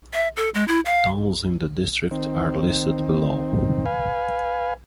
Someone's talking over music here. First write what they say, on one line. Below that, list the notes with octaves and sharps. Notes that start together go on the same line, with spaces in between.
Towns in the district are listed below.
E5
A4
G#3
E4
F5
D#3 C4
B4 F5 G#5